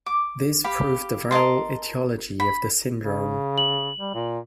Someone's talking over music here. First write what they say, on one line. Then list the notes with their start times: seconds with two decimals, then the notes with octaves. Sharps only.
This proved the viral etiology of the syndrome.
0.06 D6
0.64 G4 F5 B5
1.31 A#4 D#5 A5 C6
2.40 B5
3.02 C#3
3.58 F#7
3.99 G3
4.14 A#2